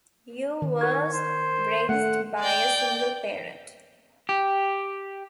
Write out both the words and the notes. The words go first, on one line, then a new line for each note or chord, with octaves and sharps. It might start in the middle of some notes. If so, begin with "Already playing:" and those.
Yoo was raised by a single parent.
D#3
A#4 C#5 G#6
C5
A3 F#5
D5 G5
G4